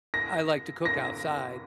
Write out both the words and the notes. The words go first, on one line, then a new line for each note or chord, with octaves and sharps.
I like to cook outside
A#6
A#6